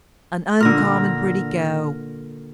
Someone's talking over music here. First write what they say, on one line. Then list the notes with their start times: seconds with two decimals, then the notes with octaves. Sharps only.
An uncommon pretty go!
0.61 A#2 D3 F6 A#6